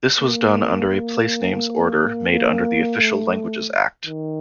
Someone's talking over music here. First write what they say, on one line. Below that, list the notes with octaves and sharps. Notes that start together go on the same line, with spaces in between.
This was done under a Placenames Order made under the Official Languages Act.
A#3
A#3
A#3
A3
D#3